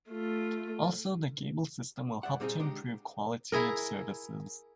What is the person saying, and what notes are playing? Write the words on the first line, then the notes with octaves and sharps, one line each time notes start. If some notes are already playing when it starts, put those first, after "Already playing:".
Also the cable system will help to improve quality of services.
A3 F4
G2 D5 E5 F#5
A#2 G3 C4 D#4 G4 G#4
G#3 D4 D#4 G4
E4 G#4 A#4